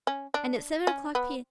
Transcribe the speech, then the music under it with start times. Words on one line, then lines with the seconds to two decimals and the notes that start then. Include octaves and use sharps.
And at seven o'clock P.m.
0.07 C#4
0.34 D4
0.87 C#4
1.15 B3